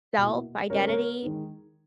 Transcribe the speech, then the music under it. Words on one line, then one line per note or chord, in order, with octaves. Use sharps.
self, identity,
B2 A#3 E4
C#3 G#3 B3 A#4 C#5
A#4 C#5
D#3 G#3 D#4